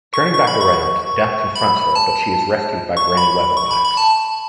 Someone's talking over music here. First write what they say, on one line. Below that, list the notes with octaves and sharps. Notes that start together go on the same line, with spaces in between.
Turning back around, Death confronts her but she is rescued by Granny Weatherwax.
C#6
C#6
B5
C#6
B5
A5
C#6
B5
C#6
B5
B5
A5